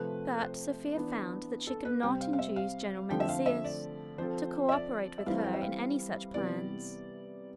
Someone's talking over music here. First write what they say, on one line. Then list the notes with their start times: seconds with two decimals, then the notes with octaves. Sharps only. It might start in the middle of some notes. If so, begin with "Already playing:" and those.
But Sophia found that she could not induce General Menesius to co-operate with her in any such plans.
Already playing: C3 F3 A3 C4 B4
0.41 C5
0.95 E3 B3 D4
1.67 A4
1.85 B4
2.03 C3 G3 C4 G5
2.21 F5
2.33 F5
2.39 E5
2.56 F5
3.10 D3 F3 A3 C4 G5
3.20 E5
3.29 F5
3.46 E5
3.64 D5
4.18 F3 C4 F4 A4 C5
4.69 E5
4.72 D5
5.18 E5
5.26 E3 G3 C4 E4 A4 F5
5.38 F5
5.44 G5
5.54 E5
5.62 F5
6.34 C3 E3 G3 B3 D5